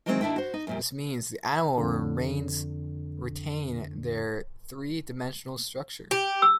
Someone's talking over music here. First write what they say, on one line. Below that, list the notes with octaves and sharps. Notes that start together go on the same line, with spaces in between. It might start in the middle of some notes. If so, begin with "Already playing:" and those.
This means the animal remains retain their three-dimensional structure.
D#3 E3 F#3 G#3 A3 C4
D#2 D4 E4 E5 G5
F#4 C5
D#4
F#2 A#2 G3
F2 D3
G4
E6